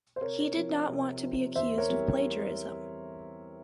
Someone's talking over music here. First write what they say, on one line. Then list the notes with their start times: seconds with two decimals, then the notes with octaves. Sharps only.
He did not want to be accused of plagiarism.
0.16 C5
0.21 C3 A#4 C#5
0.56 F3 C4
0.89 C3
1.22 F3 C4
1.55 E2 C5 E5
1.78 A#4 C#5
1.89 E3 G3 C4